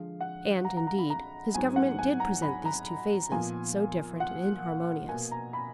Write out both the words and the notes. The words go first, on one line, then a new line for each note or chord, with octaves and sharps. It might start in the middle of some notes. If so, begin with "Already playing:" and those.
And, indeed, his government did present these two phases, so different and inharmonious.
Already playing: D3 F3 G#3 F5
F#5
A#5
A#5
A#5
B5
A#5
G#2 F#3 B3 G#5
F#5
G#5
A#5
B5
A#5
A#2 F3 B3 G#5
F#5
B2 A#3 G#5
A#5
B5